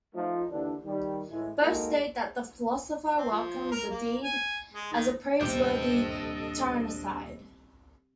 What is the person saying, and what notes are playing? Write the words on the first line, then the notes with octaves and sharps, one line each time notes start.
Both state that the philosopher welcomed the deed as a praiseworthy tyrannicide.
F3 A3 D#4
D#2 D3 E3 D4
D#3 G3
A2 E3 G#3
G#3 A#3 D#4 F#4 A4 A#4
C4
F3
A#4
A#3
G#5
G#3
D#3
D#1 C3 D4 A4 D#5 G5 D6 G6